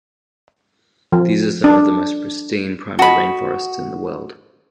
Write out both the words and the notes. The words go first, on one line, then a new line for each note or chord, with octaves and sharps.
These are some of the most pristine primary rain forests in the world.
F3
D4
F#4 A4 D#5 B5